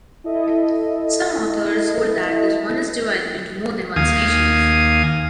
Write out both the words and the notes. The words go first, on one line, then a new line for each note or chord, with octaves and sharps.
Some authors hold that this one is divided into more than one species.
E4 A4 D#5 E5
D#2 F5 G#5 D#6